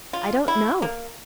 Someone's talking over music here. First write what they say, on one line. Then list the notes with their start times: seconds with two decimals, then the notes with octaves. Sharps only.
"I don't know."
0.13 F4
0.48 E4
0.82 A#3